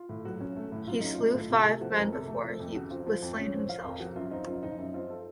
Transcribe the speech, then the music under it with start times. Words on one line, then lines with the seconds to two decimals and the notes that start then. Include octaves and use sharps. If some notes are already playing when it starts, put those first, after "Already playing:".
He slew five men before he was slain himself.
Already playing: F4
0.09 A2
0.25 F#3 F#4
0.41 C#4
0.56 A3
0.72 A2
0.87 F#3 F4
1.01 C#4 D#4
1.14 A3 F4
1.35 A2
1.50 C3
1.66 A3
1.81 F3 F#4
1.91 C5
1.97 F2 A#4
2.13 C3 A4
2.28 A3
2.44 F3
2.60 F2
2.75 C#3 F#4
2.90 C4 F4
3.07 F3
3.22 F2
3.38 C#3 C#5
3.53 C4
3.69 F3 F5
3.84 F2 A#4
4.00 F3 F#4
4.16 F#2 F4
4.31 C4 D#4
4.47 F#2 F4
4.63 F3 D#4
4.78 F#2
4.94 C4 F4
5.10 A4